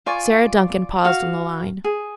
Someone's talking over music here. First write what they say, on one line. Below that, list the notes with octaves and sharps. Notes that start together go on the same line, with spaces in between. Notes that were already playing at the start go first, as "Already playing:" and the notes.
Sarah Duncan paused on the line.
F4 D5 G#5 C#6
F#4 F5
G#4